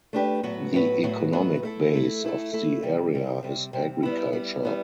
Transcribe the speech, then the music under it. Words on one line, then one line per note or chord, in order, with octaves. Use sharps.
The economic base of the area is agriculture.
A3 D4 G4 B4
A2 F#3 B3 F#4 B4
A2 F#3 B3 F#4 B4
A2 F#3 B3 F#4 B4
A2 F#3 B3 F#4 B4
A3 E4 A4
A3 E4 A4
A3 E4 A4
A3 E4 A4
C3 G3 C4
C3 G3 C4
C3 G3 C4
C3 G3 C4
G3 B3 E4
G3 B3 E4
G3 B3 E4